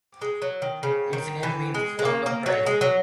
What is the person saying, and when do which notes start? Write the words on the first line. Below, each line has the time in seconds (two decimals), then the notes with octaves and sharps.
Its name means 'Song of Praise'.
0.21 G#3
0.42 F#3
0.62 D#3
0.83 C#3
1.13 D#3
1.43 E3
1.74 G#3
1.99 G#3
2.05 A#3
2.26 A#3
2.46 F#3
2.66 G#3
2.81 F#3